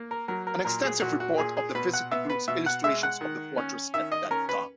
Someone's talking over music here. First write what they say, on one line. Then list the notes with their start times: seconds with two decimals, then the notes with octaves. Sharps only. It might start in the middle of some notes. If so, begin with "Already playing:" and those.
An extensive report of the visit includes illustrations of the fortress at that time.
Already playing: A#3
0.11 A#4
0.28 F#3 A#4
0.47 A#4
0.65 A#2 A#4
0.83 G#4
1.02 A#2 F#4
1.20 F#4
1.38 A#2 G#4
1.57 G#4
1.75 B2 B4
1.94 F#5
2.11 B3 E5
2.30 B4
2.48 B2 E5
2.66 F#5
2.84 G#3 E5
3.03 F#5
3.21 D#3
3.58 C#4
3.94 D#3 E5
4.12 D#5
4.31 C#4 A#4
4.49 B4